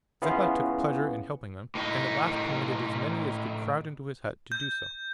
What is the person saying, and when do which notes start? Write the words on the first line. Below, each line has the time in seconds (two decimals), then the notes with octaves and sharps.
Zeppa took pleasure in helping them, and at last permitted as many as could crowd into his hut to do so.
0.22 B3 C#4 E4 F4 G#4 F5
1.75 A2 D#4
4.52 G6